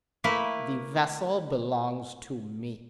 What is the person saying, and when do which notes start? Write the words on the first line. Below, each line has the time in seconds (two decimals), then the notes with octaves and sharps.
"The vessel belongs to me."
0.24 A3 A#3 E4 B4